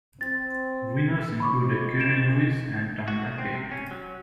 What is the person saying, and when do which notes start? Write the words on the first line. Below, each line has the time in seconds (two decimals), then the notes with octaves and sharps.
Winners included Kerry Louise and Tanya Tate.
0.21 C4 A6
1.40 D#3 F3 B5 C#6 D6
2.00 D7 E7
3.08 F#4
3.24 D#3
3.38 C4
3.55 C3
3.72 C#4
3.91 F#3